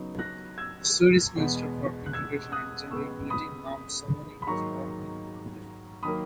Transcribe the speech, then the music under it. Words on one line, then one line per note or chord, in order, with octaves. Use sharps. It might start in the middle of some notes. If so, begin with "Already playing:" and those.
The Swedish Minister for Integration and Gender Equality, Nyamko Sabuni, was born in Burundi.
Already playing: C#3 F#3 B3 D#4
F#6 A#6
E6 G#6
E2 B2 G#3 B3
F#6
E6 G#6
D#6 F#6
C#2 C#3 G#3 B3 C#6 E6
B5 D#6
B5
G#2 D#3 F#3 A#3 D#4 A#5 C#6
D#3 F#3 A#3 B5 D#6